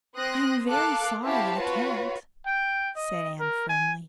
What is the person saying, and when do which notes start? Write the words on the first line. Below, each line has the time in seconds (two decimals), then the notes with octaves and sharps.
"I am very sorry I can't," said Anne firmly.
0.16 C4 C6 D#6 F#6 A#6
0.70 A4 A#4 F5 D6 F#6
1.23 C4 E4 F#4 G4 F5 A5
1.59 F4 F#4 B4 C#5
2.46 G5
2.96 D#5
3.40 A#4
3.69 G#5